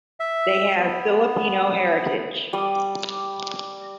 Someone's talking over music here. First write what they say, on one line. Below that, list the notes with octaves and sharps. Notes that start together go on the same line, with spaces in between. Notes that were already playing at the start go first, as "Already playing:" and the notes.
They have Filipino heritage.
E5
B3
G3 D5 D#6